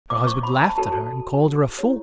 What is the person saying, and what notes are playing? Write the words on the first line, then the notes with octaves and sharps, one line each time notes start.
Her husband laughed at her, and called her a fool.
D6
C#6
B5
A5
F#4 A4 C#5 A5
E4 G4 C#5